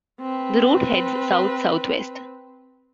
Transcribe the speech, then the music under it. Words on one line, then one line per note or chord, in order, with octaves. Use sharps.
The route heads south-south-west.
C4 B4